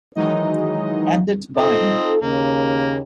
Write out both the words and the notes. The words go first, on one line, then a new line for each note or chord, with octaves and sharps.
Andet Bind.
D#3 E3 F#3 G#3 D#4 D#5
C4 D#4 F4 A4 D#5
D#2 C#3 A#3